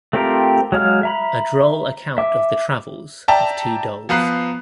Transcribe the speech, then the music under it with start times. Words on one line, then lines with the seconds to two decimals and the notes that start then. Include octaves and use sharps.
A droll account of the travels of two dolls.
0.13 A3 C4 F4 G4 A#4
0.72 F#3 G#3 F5 F6
1.03 E5 A#5 B5
2.18 E5 D6
3.28 D5 E5 G5 A5 A#5
4.09 F3 B3 A#5 F#6 C7